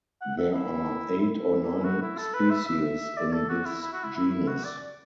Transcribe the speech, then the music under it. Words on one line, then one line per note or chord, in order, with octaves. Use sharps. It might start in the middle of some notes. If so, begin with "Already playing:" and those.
There are eight or nine species in this genus.
F#5
E5
E4
E4
F#4
E4
A4
B4
E5
E5
D5
A4
F#4
E4
E4
F#4
E4
E4
F#4
D5